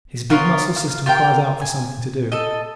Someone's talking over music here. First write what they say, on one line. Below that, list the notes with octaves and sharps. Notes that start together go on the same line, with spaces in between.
His big muscle system cries out for something to do.
B3 F4 A#4 C#5
F5
F4 G4 A#4 G5
G#5
A4 D#5